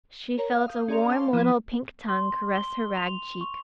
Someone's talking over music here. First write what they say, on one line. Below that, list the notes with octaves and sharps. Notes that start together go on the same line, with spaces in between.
She felt a warm little pink tongue caress her rag cheek.
A#4 C#5 A#5
F5
F5 D#6 G6
C#4 G#4 D5 A#5 C6 F7
C5 F5 A5 C6 D6
F3 B3 E4 B5 F6 D#7
C6
G7
F7
C#6